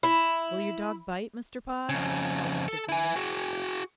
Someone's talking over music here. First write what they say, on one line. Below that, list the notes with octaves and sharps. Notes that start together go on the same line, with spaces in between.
"Will your dog bite, Mr. Pod?" called Mr. Green.
E4
F2 C#3
A4
E4 G#5
F#4 G#4